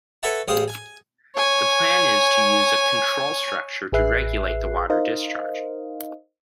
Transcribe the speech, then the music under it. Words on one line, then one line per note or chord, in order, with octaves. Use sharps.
The plan is to use a control structure to regulate the water discharge.
A4 B4 C#5 E5 F#5 A5
A1 G#3 C5 F5 D#6
G#5
C#5 G#5
A1 G#4 B4 E5 F#6 C7
D#4 A#4 C5 D#5 F5